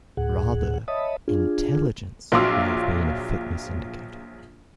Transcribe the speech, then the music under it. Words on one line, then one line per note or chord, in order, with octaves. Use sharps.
Rather, intelligence may have been a fitness indicator.
D2 A2 G#4 F#5
C#5 D#5 E5 A5 B5 D#6
D4 F4 G#4
A#1 F#3 F4 C6 D6 E6